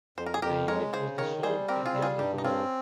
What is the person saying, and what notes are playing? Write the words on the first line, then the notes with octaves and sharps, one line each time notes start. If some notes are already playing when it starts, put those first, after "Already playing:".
The unit was dissolved at the end of the war.
F2 C5
A#4
G#4
F2 G4 A#4
G#3 A#4 C#5
C#3 G#4 C5
D#3 A#4 C#5
G3 G#4 C5
C4 G4 A#4
F4 G#4
G3
F4 G#4
G2 D#4 G4
D#4
C4 C#4 F4